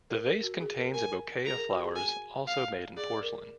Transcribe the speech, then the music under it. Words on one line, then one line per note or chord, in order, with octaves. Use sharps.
The vase contains a bouquet of flowers also made in porcelain.
A#4
A#4
F#4
G#4
A#4
A#4 G#5
G#4 A#5
A#4
F#4
G#4
G#5
F5
G#4 D5
A#4